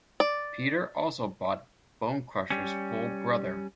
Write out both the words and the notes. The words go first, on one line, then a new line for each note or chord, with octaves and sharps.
Peter also bought Bonecrusher's full brother.
D5
G3 C#4